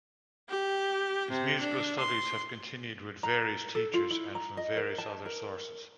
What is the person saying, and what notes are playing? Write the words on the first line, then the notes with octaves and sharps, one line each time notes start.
His musical studies have continued with various teachers and from various other sources.
G4
C3
D4
C6
A#5
A4
F4
E4
A#5
D#5
A#4
A5
A#4